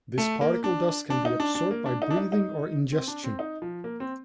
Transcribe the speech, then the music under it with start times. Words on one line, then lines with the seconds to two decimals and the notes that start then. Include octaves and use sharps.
This particle dust can be absorbed by breathing or ingestion.
0.18 A3
0.41 A#3
0.64 D4
1.10 D4
1.25 D#4
1.40 D4
1.55 D4
1.71 A#3
1.86 D4
2.02 D#4
2.10 D4
2.17 D#4
2.32 D#4
2.92 C4
3.08 D4
3.24 C4
3.39 D#4
3.62 F3
3.84 A#3
4.00 C4